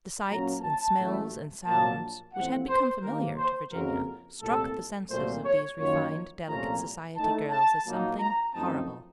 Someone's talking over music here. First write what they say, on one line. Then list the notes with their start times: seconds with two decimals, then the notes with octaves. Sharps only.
The sights and smells and sounds which had become familiar to Virginia struck the senses of these refined, delicate society girls as something horrible.
0.27 A#2 F#3 A#3 C#4 A#5
0.62 A5
0.96 A1 A2 F#3 A3
1.65 A#1 A#2 F#3 A#3 A5
2.34 A1 A2 F3 C4 F#5
2.68 C5
3.03 D#2 D#3 A#3 A#4
3.37 C5
3.72 F#1 F2 C#3 F#3 A#4
4.41 C2 A#2 A3 A4
5.09 C2 A#2 F#3 A3 C5
5.44 C#5
5.78 F#2 D#3 A#3 F4 C#5
6.47 C2 A#2 F3 A3 C#4 A#5
7.16 A2 A3 D#4 A5
7.50 A5
7.85 A#2 F#3 A#3 D#4
8.20 A#5
8.53 F#2 F3 A3 C4 D#4 A5